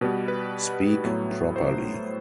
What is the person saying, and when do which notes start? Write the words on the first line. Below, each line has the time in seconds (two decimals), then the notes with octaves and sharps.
Speak properly.
0.01 B2 G3 B3 B4
0.28 B4
1.04 A2 F#3 B3
1.56 C5